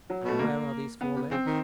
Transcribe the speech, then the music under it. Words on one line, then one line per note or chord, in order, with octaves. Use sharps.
"And where are these four men?"
F#3
B2 A3
A#3
B3
C3
C#3 C4
D#3